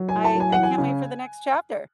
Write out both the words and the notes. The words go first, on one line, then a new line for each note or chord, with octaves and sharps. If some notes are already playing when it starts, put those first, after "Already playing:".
I I can't wait for the next chapter.
Already playing: F#3
G#5
A2
A5
F#3
G#5
E3 F#5
G#5
C#3